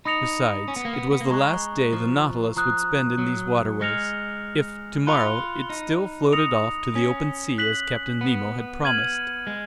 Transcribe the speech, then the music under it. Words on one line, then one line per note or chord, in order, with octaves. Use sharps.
Besides, it was the last day the Nautilus would spend in these waterways, if, tomorrow, it still floated off to the open sea as Captain Nemo had promised.
D#4 B5 D#6 A#6 C#7 F7
C#4
B3
A#3
B3
B3
A#3
G#3 A#5 C#6 F#6
F3
F3 A#5 D#6 F#6
F#3
G#3 F6 A#6 C#7 F7
F4 B5 F#6 C#7 F7
D#4
D#6 A#6 C#7 F7
C#4
F#6 B6 F#7
B3
F6 G#6 D#7 F#7
G#3